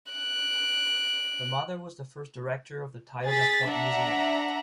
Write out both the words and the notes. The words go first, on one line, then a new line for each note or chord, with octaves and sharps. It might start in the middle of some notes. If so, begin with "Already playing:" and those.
Her mother was the first director of the Tioga Point Museum.
F#6 D7
G#4 A6 B6
D4 E5 F#5 A#5